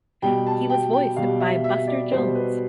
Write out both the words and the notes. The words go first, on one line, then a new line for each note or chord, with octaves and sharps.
He was voiced by Buster Jones.
B2 G3 G5
A5
G5
G5
B2 G3 F5
E5
E5
D5
B2 G3 C5
B4